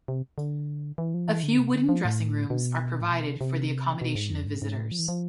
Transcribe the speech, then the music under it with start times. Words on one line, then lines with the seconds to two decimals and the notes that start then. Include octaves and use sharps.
A few wooden dressing-rooms are provided for the accommodation of visitors.
0.08 C3
0.38 D3
0.98 E3
1.14 F3
1.29 E3
1.43 D3
1.58 C3
1.74 D3
1.89 F3
2.05 A2
2.50 B2
3.01 A2
3.10 B2
3.25 C3
3.41 C3
4.01 B2
4.15 G#2
4.31 F2
4.46 G#2
4.62 G#2
4.77 A2
4.92 F3
4.99 E3
5.08 F3